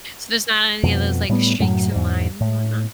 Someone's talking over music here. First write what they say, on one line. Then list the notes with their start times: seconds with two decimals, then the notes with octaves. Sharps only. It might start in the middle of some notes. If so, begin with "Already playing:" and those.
so there's not any of those, like, streaks, and lines, and whatnot.
0.83 F2 B2
1.29 A2 G3 B3
1.60 F#2 A2 F#3
1.91 E2 G#2
2.41 A2